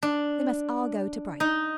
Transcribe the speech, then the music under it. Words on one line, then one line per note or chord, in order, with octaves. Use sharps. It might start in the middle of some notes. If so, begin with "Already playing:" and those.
They must all go to Brighton.
D4
D#4